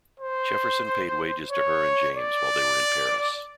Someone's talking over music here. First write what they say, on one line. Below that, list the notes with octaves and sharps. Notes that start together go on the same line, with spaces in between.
Jefferson paid wages to her and James while they were in Paris.
C5
C#5
D5